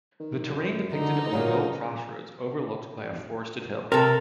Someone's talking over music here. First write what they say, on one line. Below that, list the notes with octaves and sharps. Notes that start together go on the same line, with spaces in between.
The terrain depicted a rural crossroads overlooked by a forested hill.
D#3
F#2
D3 D#4
A#2 C#3 F#3 A#4
C3 A4 A#4